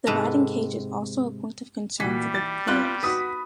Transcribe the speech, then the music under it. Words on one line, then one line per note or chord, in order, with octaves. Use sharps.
The batting cage is also a point of concern for the players.
G#2 C3 A4 B4 A5 A#5
A#2 E3 G3 F#4 B6
A6
B3 C4 F4 F#6
F#4 B4 D#6 B6